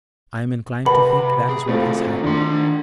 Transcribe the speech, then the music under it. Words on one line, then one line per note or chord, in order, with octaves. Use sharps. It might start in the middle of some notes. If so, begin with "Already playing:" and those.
I am inclined to think that is what has happened.
C3 B4 F#5 A5 B5
G#4
C2 A3 C4 F4 A4
D#3 D4 C6